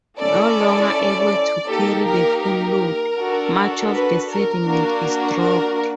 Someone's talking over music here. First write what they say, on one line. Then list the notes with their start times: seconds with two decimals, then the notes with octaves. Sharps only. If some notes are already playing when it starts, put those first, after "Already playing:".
No longer able to carry the full load, much of the sediment is dropped.
0.18 C#4 E4 A4 D5
1.67 A#3 D#4 G4 A4
2.05 A#4
2.43 A#4
3.17 D4 F#4 A4
3.92 B4
4.29 A#4
4.66 A#3 D4 F#4
5.40 A#4